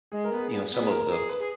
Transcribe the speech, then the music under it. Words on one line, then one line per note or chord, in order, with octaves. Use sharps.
you know, some of the,
G#3 G#4
A#4
B3
G#4
B3
B3
G#4
A#4
G#4
B4
G#4